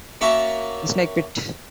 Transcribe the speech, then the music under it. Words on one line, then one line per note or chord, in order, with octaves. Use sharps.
"The Snake Pit".
A#3 C#4 F#4 E5 A5 A#5